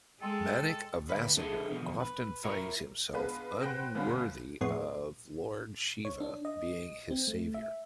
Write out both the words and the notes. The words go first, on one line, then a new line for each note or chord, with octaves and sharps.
Manickavasagar often finds himself unworthy of lord Shiva being his saviour.
G#3 A4 G5 C6 E6
D2 B4
D4 E4 G#4 A4 D#5 E5
E2 B2 D3 F3
B4
E4 F4 A#4 C#5
G#3 B3 D4 F4 B4
B4 C5 F#5 G5 F#6 A#6
G1 D2 B3 C#4 F4 B5
F2 A2 G#3 B3 C#5 C6
C#5
D4
D#5
C4
A3
E5